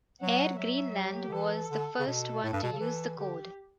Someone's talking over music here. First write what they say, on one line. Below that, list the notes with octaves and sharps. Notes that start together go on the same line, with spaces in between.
Air Greenland was the first one to use the code.
F#3 F#5
F#3 E5
G4
D3
E3 A4
D3
C#3
B2 A4
A2
G2
B2
C#3
E3
D3 G4